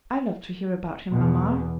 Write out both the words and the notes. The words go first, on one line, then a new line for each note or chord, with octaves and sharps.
'I love to hear about him, mamma.
E2 B2